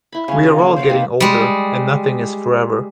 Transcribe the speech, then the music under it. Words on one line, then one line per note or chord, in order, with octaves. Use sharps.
We are all getting older, and nothing is forever.
E4 B5
C#3 C#4
F4
A#3
C5 D5 F5 F#5
A#3 C4 D#4 B4
G3 G#3